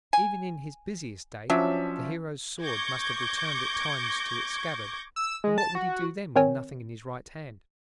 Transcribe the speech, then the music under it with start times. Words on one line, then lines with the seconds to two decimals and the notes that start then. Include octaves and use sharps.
Even in his busiest day the hero's sword must have returned at times to its scabbard, and what would he do then with nothing in his right hand?
0.13 G#5
1.50 F3 F#3 C#4 D4 E5
2.62 C#6 D6 G6 G#6 A#6
5.16 E6
5.44 G#3
5.58 A5
5.75 F#4
6.36 D#3 C4 A#4 C#5 G#5